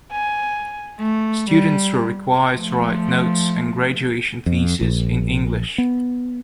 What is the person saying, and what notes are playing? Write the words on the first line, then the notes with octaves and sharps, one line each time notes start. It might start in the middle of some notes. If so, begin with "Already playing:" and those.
Students were required to write notes and graduation theses in English.
G#5
A3
G3
F3 A3
F2
A#1
B3